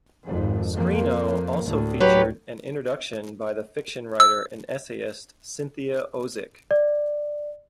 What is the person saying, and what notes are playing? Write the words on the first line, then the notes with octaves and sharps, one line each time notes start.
"Screeno" also featured an introduction by the fiction writer and essayist, Cynthia Ozick.
G#1 F2
F2 A#3
D2 A2
F#3 G4 B4
E6
D5